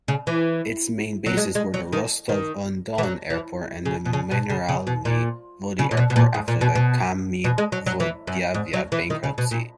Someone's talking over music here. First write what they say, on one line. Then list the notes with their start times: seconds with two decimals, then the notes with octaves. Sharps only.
Its main bases were Rostov-on-Don Airport and Mineralnye Vody Airport after the Kavminvodyavia bankruptcy.
0.08 C#3
0.27 E3
1.26 F#3
1.37 G#3
1.55 G#3
1.74 F#3
1.93 D#3
2.29 D#3
2.98 E3
3.03 F#3
3.30 E3
3.85 C#3
4.05 B2
4.13 C#3
4.31 B2
4.50 C#3
4.69 C#3
4.87 B2
5.05 A#2
5.79 C#3
5.91 A#2
5.97 B2
6.10 B2
6.16 A#2
6.34 G#2
6.48 A#2
6.61 B2
6.75 B2
7.44 B2
7.58 G#3
7.72 F#3
7.86 F#3
8.00 E3
8.27 F#2
8.54 G#2
8.73 F#3
8.92 E3
9.10 D#3
9.23 C#3
9.38 B2
9.51 A#2